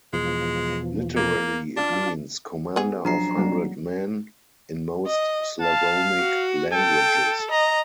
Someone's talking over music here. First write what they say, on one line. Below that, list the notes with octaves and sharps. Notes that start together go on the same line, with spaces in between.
Literally it means "commander of hundred men" in most Slavonic languages.
E2 B2 F3 G#3
A#3
D4 F4
B3 G#4
F3 F#3 D4 A#5 C7
F#3 G3 A#3
D#5
F5 A5
F#4
A4 G5
D#5 A#5